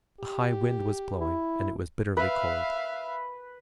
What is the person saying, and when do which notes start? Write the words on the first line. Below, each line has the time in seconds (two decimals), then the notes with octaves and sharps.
A high wind was blowing and it was bitterly cold.
0.20 G4
1.21 E4
2.17 B4 E5 F5